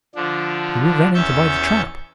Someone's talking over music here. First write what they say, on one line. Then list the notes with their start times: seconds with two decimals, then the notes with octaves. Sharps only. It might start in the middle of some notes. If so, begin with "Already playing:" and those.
"He will then enter by the trap."
0.15 D3 F3 D4
1.15 E2 C#4 E5 C#6 G6 A6